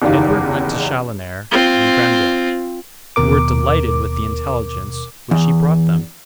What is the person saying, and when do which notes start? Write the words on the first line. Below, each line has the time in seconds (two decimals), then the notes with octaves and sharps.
Edward went to Chaloner and Grenville, who were delighted with the intelligence which he brought them.
0.02 F#1 E2 D#3 D#4 G4 F5
1.52 C4 F4
3.16 D#2 B2 A#4 D6
5.31 E2